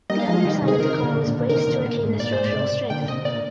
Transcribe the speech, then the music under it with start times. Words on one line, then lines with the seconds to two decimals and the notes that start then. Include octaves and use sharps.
The underside of the car was braced to retain the structural strength.
0.10 G3 A#3 D#5
0.19 F5
0.28 F3 G#3 D#5
0.45 D#3 G3
0.62 C3 D#3
0.68 G#4
0.79 C3 D#3 A#4
1.03 A#2 D3
1.27 A#2 D3
1.49 C3 D#3 A#4
1.67 A#2 D3
1.84 A#2
2.03 G#2
2.19 A#2 D5
2.33 C5
2.38 G#2
2.45 D5
2.55 C3
2.90 A#2 D3 G5
3.08 C3 D#5
3.25 A#2 D5